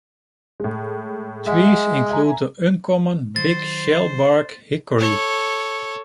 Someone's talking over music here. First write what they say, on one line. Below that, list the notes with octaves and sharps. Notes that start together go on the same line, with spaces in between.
Trees include the uncommon Big Shellbark Hickory.
A2 G#3
G#3 E5 F#5
E5 G#5 A#5
D#3 F#3 F#4 C5 A6
A4 C#5